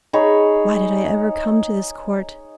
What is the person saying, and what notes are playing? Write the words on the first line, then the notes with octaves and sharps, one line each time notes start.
Why did I ever come to this court?
D#4 G#4 C#5 B5